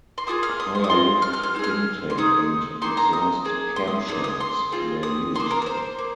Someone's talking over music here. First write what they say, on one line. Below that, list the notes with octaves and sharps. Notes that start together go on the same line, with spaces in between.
Higher lift intake and exhaust camshafts were used.
C6
A#3 F4 G#4 D#6
F6
D#6
C6
D#6
C4 F4 G#4 C6
F6
F6
F6
C4 D#4 G#4 F6
C6
C4 D#4 G#4 D#6
A#3 D#4 G#4 C6
A#5
D#6
A#3 G#4
C6
D#6
A#3 F4 G#4 D#6
D#6
C6
C4 F4 G#4
D#6
A#3 D#4 G#4 C6
A#4
A#4
C5
A#3